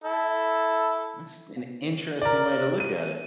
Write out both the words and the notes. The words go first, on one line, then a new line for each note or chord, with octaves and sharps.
That's an interesting way to look at it.
E4 A4
A#4 D5
D#7